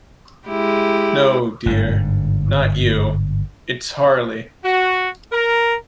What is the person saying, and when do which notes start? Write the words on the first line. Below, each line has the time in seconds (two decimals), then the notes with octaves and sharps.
No, dear, not you; it's Harley.
0.48 G#3 E4 G4
1.66 G1 G#2 D3
4.65 F#4
5.32 A#4